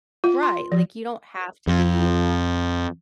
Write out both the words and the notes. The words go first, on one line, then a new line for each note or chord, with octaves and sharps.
Right. Like, you don't have to be
F4
C6
F3
F2